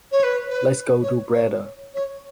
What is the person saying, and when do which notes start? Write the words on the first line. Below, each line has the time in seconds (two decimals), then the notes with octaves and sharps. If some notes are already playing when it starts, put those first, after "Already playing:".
Let's go to Breda.
0.11 C#5
0.23 B4
0.49 B4
1.02 C#5
1.33 C#5
1.93 C#5